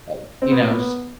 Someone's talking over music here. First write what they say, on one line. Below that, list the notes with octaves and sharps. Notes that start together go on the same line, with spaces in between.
uh, you know s
C4
B3
A#3
B3